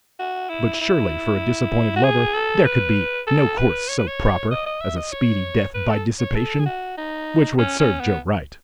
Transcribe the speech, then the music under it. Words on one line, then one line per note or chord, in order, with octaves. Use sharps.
But surely, for a disappointed lover there could be no course so proper as a speedy death by dissipation--which would serve Joe right.
F#4
E4
E4
F#4
G#4
A4
B4
A4
B4
C#5
B4
C#5
D#5
D#5
E5
D#5
C#5
B4
A4
C#5
A4
G#4
F#4
D#4
C#4
C#4
B3